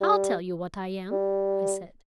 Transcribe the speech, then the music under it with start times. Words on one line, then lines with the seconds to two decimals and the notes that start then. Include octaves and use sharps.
"I'll tell you what I am," I said.
0.01 G3
1.11 G3